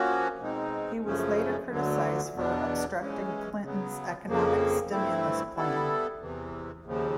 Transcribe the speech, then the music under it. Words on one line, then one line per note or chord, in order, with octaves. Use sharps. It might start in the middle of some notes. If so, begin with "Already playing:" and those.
He was later criticized for obstructing Clinton's economic stimulus plan.
Already playing: F3 A#3 C#4 F#4
B2 G#3 C4 D#4
F#2 C#3 F3 A3 C#4
D2 D3 F#3
E2 B2 F#3 B3 D4
E3 G#3 C#4
C#3 F#3 B3
F2 C#3 F3 A#3
G2 E3 A3 C4 E4
G3 B3 E4 A4
E2 C3 E3
D#2 C#3 F3